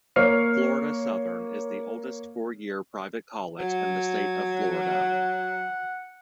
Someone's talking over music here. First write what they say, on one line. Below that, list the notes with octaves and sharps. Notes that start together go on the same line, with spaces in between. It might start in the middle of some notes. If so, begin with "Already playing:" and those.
Florida Southern is the oldest four-year private college in the state of Florida.
A#3 C#5 F6 C7
F#3
F#5